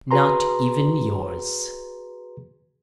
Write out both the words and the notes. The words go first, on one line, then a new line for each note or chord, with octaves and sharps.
"Not even yours."
F#4 G#4 B4 A#5 C6